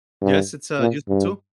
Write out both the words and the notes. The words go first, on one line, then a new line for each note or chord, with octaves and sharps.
Yes, it's, uh, useful too.
G2
A#2
G2